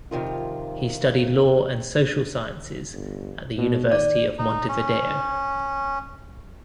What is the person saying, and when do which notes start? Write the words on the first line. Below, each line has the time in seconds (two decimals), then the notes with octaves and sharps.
He studied Law and Social Sciences at the University of Montevideo.
0.11 F2 C3 D#3 F4
2.93 G1
3.58 B2
3.92 D#3 D5
4.38 D#4
4.69 C#4